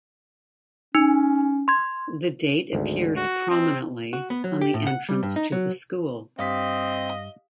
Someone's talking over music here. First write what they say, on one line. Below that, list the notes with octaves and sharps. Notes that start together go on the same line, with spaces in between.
The date appears prominently on the entrance to the school.
C#4 D#4
C6 G#6
G#1 D2
F#4
C4 D#5 A#5
F#4
B3
F#3
G4
A2
F#5
G3
G2
D#4
F#3
G2 C4 D#5 F5 D#6 B6